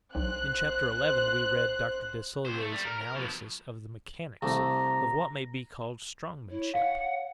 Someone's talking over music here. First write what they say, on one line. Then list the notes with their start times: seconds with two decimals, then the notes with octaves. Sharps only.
In Chapter Eleven we read Dr. Desaguliers' analysis of the mechanics of what may be called strongmanship.
0.15 B1 C5 F#6
2.45 C2 C5
2.59 A3
2.72 G3
2.85 A#4
3.01 A#4
3.15 B2 F3
4.42 C2 A3 A#5
6.51 E4 C#5
6.74 F5 F#5